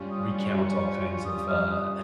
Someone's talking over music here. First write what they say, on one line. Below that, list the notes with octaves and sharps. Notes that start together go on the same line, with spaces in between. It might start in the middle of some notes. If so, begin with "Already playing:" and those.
recount all kinds of, uh,
Already playing: G2 G3 C#4 F4
D#6
C#6
D#6
F6
D#6